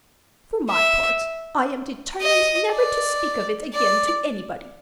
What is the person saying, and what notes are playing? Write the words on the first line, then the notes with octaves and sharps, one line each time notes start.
For my part, I am determined never to speak of it again to anybody.
E5
D#5
D5
D5